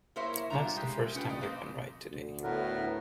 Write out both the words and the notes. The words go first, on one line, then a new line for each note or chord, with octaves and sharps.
That's the first time you've been right today.
A#3 E4 A#4 C5 C#5 E5
B2 G3 D4 F4 A#5
G#3 G4
C#4 F4 B4 G5
D5 D#5
A#3 C4
D2
A2 B3 A#4 B4